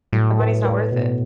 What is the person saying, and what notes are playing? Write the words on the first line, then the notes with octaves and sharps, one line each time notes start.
the money's not worth it.
A2 F#3
B4
B4
B2